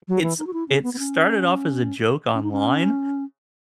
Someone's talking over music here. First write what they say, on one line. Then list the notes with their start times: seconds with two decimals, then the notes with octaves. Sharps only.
It s it started off as a joke online,
0.08 F#3
0.23 E3
0.39 D#4
0.47 F#4
0.53 E4
0.68 C#4
0.83 B3
0.94 B3
0.99 C#4
2.34 C#4
2.43 D#4
2.52 C#4